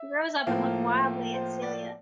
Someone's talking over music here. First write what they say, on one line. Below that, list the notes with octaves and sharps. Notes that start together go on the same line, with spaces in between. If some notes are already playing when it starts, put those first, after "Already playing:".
He rose up and looked wildly at Celia.
Already playing: E5
A2 F3 A#3
C5
D5